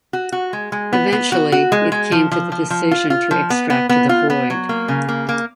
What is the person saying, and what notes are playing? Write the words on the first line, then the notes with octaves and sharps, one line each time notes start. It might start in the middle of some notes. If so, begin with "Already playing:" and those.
Eventually it came to the decision to extract the Void.
F#4
F#4
G#3
G#3
B3
B3
F#4
F#4
G#3
G#3
F3
F3
F3
F3
F4
F4
F3
B3
B3
B3
F4
B3
F#3
A#3
C#3
A#3
A#3